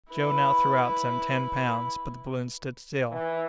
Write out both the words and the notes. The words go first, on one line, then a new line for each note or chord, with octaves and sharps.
Joe now threw out some ten pounds, but the balloon stood still.
E4 B4
E3